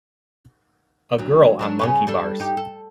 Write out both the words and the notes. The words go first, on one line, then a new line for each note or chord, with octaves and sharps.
A girl on monkey bars.
D2 F#3
F#3 D4 A#4
C#3 C#4 B4
G3 D4 A4
D#4 G4
A4